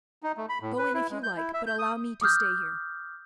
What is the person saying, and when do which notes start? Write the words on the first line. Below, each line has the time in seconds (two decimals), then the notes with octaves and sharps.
"Go in, if you like, but allow me to stay here."
0.23 D#4
0.37 A3
0.49 B5
0.62 A2
0.78 B4
0.94 E4
1.10 G#3
1.23 G6
1.37 E4
1.54 E5
1.67 G6
1.79 D#6
2.21 D6 D#6 F6 G6